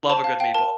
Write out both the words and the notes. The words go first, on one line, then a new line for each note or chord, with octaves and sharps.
Love a good meatball.
C5 A5
F5 A5
F5 G5
A#4 A5